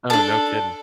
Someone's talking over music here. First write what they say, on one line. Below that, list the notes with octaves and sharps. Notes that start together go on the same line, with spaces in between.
Oh, no kidding.
D4 A4 A5